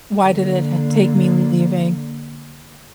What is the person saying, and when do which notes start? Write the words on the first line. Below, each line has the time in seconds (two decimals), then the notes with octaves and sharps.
why did it t take me leaving
0.21 D3 A#3